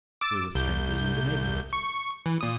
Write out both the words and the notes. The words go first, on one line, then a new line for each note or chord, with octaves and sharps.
We were strangers in the neighbourhood.
D6 E6 A6
C2 G6
C#6
E3
A#2 D#6